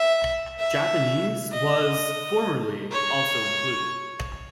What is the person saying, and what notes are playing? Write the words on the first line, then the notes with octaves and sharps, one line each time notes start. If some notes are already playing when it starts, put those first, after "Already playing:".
Japanese was formerly also included.
Already playing: E5
E5
D#5
C#5